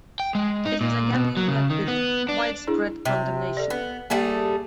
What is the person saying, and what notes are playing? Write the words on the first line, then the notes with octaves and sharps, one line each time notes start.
It has again been met with widespread condemnation.
G5
G#3
D#4
A#2
B2
F#3
C#3
D#3
B3
D4
D4 E4 G#4
C3
A4 D5
B3
G3 A3 A#3 G#4 G5